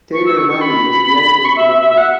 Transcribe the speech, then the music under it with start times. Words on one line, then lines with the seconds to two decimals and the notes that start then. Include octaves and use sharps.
Taylor Mali was delightful to work with.
0.13 C#6
0.26 E6
0.37 C#6
0.49 C#6
0.61 B5
1.45 C#6
1.56 E5
1.69 E5
1.80 E5
1.90 E5
1.97 F#5